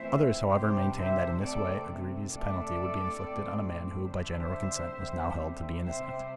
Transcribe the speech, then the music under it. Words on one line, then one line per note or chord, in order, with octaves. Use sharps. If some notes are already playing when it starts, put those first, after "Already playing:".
Others, however, maintained that in this way a grievous penalty would be inflicted on a man who, by general consent, was now held to be innocent.
Already playing: E3 A3 C4 C5 E5
C3 G3 D4 G4 C5
C5 E5
C3 A3 C4 A4 D5
C3 A3 D4 A4 D5
A2 A3 C4
D3 G3 D4 C5 E5
D3 G3 C4
C3 G3 C4 C5 E5